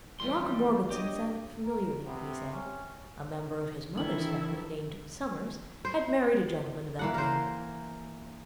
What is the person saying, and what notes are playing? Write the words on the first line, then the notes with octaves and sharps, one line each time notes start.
Locke Morgeson sounded familiarly, he said; a member of his mother's family named Somers had married a gentleman of that name.
F2 A2 E3 G3 A3 C6
D4 G4 C#5 D#5
A#4
C3 B3
C#4
D#3 E3 D4 E4 A4 F#7
C5
E3 A#3 F#5
A#4 C5